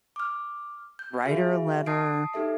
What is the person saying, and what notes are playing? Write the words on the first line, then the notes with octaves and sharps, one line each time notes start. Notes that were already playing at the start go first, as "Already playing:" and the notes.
write her a letter,
D6 F6
G6
F#4 G#4 E5 F5
A5 D#6 C7 D7
D#4 G4 A4 E5